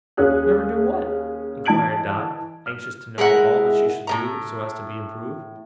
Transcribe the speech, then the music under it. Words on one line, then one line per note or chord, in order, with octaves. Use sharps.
"Never do what?" enquired Dot, anxious to know all that she should do, so as to be improved.
D#2 C#4 G#4 F#6
E3 D#5 A5 G#6 D7 F#7
F6
G#3 E4 A#4 F#5
A2 C#3 A#5